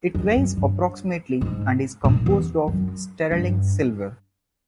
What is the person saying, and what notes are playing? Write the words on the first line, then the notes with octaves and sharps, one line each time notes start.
It weighs approximately and is composed of sterling silver.
F2
F#2
G2
G#2
A#2
E2
F#2
G2